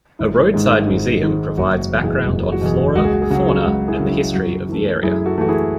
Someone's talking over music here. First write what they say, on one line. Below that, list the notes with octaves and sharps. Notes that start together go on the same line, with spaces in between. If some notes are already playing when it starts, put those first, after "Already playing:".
A roadside museum provides background on flora, fauna, and the history of the area.
G#1 E4
G#2 D#3 G#3
G#1
G#2 D#3 G#3
F#1 F#4
E2 B2
E4 G#4
F#1 F#4
G#4
F#4
E2 B2 G#4
F#4
C#2 F#4
G#4
F#4
G#4
C#3 F#3 F#4
G#4
F#4
C#2 F#4
E4 G#4
C#3 F#3
E4
F#2 F#4
E3 A3
F#2 E4 G#4
F#4 A4
E3 A3 F#4
E4 G#4